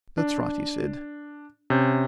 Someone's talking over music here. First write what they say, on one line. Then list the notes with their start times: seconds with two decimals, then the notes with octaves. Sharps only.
"That's right," he said.
0.18 D4
1.70 C3 C#4 G6